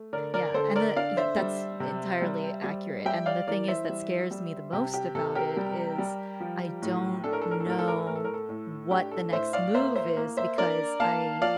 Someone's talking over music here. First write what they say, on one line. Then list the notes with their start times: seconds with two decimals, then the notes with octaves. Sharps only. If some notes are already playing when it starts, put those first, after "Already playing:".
Yeah, and the ye that's entirely accurate. And the thing is that scares me the most about it is I don't know what the next move is because I
Already playing: A3
0.13 D3 A#4 D5
0.34 A#4 D5
0.54 D3 A4 C5
0.75 A#4 D5
0.96 D4 D5 F5
1.17 C5 E5
1.38 G3
1.80 C3
2.22 G3
2.64 G3
3.05 G3 E5 G5
3.26 D5 F5
3.47 E3 A#4 D5
3.68 C5 E5
3.89 G3
4.31 G3
4.73 C3 G4
4.94 G4
5.15 C3 A4
5.35 G4 A#4
5.57 G3
5.98 G3
6.40 F3
6.82 A2
7.24 D4 A4
7.33 A#4
7.41 A4
7.51 A#4
7.60 A4
7.66 A2 A#4
7.79 A4
7.88 A#4
7.97 A4
8.07 A2 A#4
8.15 A4
8.24 A#4
8.34 A4
8.49 A2
8.91 D4 G4
9.11 A4
9.33 A2 C5 E5
9.53 D5 F5
9.74 A#3 C5 E5
9.95 C5 E5
10.17 A#3
10.37 C5 E5
10.58 D4 A#4 D5
11.00 A#3 F5 A5
11.42 F3 D5 F5